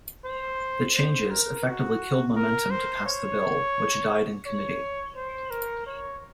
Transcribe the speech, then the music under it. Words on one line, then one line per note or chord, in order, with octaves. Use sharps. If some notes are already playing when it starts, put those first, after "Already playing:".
The changes effectively killed momentum to pass the bill, which died in committee.
C5
C5
A#4
F#4
A#4
C5
C#5
C#5
C5
A#4
C#5